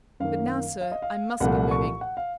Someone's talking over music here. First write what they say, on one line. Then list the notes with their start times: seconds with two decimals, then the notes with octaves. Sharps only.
But now, sir, I must be moving.
0.20 F#2 D#3 A#3 F5
0.81 F5
0.92 D#5
1.02 F5
1.40 C2 A#2 F3 A3 F#5
1.71 C#6
2.01 F#5
2.17 F5